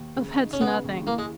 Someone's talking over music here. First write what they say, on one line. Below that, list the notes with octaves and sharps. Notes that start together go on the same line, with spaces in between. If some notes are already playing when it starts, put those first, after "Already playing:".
"Oh, that's nothing."
Already playing: D#2
C#3
D#4
C#4
C#3 B3
D#2
A#3 E4
G#3